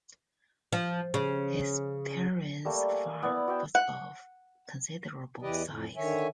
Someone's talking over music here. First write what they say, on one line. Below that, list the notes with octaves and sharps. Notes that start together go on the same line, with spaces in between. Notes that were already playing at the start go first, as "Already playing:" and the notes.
His parents' farm was of considerable size.
F3
C#3
G3 A3 A#3
G#5
B3 E4 D5
F#4 D5 E5 G5
F#5
E2 E3 G4 B4 D5 D#5
F2 A2
D3 D#3 C#5 E5 G#5